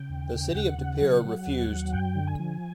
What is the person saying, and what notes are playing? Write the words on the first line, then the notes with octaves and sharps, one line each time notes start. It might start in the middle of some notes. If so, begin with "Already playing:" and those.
The city of De Pere refused.
Already playing: C#3 G5
D#2
C#3
D#2 F#5
C#3
F#3
F#3
D#2
F#3
F#2 G5
D3
G#5
F3